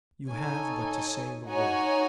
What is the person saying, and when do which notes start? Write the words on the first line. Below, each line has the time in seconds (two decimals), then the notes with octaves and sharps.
You have but to say the word.
0.30 D#4 A4 C#5 G#5
1.48 D#4 F#4 C#5 G#5